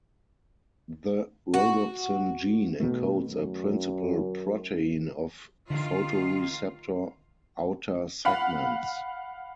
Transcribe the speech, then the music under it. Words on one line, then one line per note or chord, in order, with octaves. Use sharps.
The rhodopsin gene encodes a principal protein of photoreceptor outer segments.
F#4
B2 D#3 A3
F#2
D3 D#3 F4
F5 F#5 B5